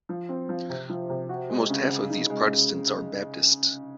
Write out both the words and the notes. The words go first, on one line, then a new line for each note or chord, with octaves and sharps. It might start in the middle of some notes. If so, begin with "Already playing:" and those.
Almost half of these Protestants are Baptists.
F3
C4
F3
C3
F3
C3
F#4
G#3
C#3
G#3
D#4
G#3